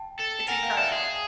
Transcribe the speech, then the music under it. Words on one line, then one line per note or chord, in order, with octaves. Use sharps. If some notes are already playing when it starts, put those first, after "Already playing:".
It's incredible.
Already playing: G5 A5
A4
A#4 F#5 G#5
F5 G5
A4 D5 E5
G#4